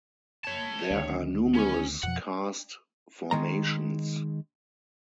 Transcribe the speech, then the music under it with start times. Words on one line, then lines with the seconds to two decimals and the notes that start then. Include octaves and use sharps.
There are numerous karst formations.
0.45 C#5 A5
0.90 D2 D#3 D4
1.55 C#4 G#5
2.03 F2 B2 F3 F#5
3.31 D#3 G#3 A#5